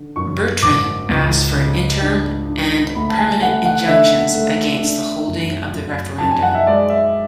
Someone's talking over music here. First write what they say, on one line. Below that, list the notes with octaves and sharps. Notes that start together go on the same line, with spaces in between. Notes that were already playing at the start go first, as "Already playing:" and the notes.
Bertrand asked for interim and permanent injunctions against the holding of the referendum.
Already playing: D3
F#2 C#6
G#1 D6
C#2
C#3
D4
D4
D2 B5
A5
G#5
A3 F#5
F#5
D3 E5
A3
D4
F#2
F#2
F#2 A5
G#5
F#5
E5
G#3 D5
E5